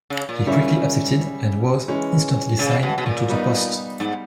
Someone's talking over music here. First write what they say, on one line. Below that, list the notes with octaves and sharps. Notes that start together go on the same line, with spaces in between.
He quickly accepted, and was instantly signed into the post.
C#3
A#2
C#3 G3 C#4 E4
E3 G#3 C#4
C#3
B2
B2
A#2
G3 B3 D#4
G#2